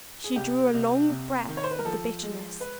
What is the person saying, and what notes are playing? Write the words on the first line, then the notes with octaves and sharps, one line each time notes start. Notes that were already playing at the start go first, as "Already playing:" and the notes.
She drew a long breath of the bitterness.
G#4
C2 G4
C2
C3
D#3
C#5
C5
B4
A#4
F3 A4
G#3
B4